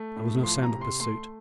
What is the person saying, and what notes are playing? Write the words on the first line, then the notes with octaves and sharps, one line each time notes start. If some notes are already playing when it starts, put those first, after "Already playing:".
There was no sound of pursuit.
Already playing: A3
A2
F3 C6
A#5
C3
C6
A3 C6